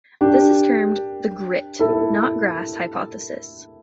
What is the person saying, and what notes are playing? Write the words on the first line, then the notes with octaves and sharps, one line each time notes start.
This is termed the Grit, not grass hypothesis.
D4 G4
E4 A4